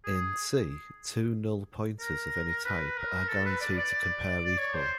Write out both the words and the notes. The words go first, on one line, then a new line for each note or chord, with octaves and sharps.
In C, two null pointers of any type are guaranteed to compare equal.
G#4
A#4
B4
A#4
A4
B4
D5
D5
C#5
C5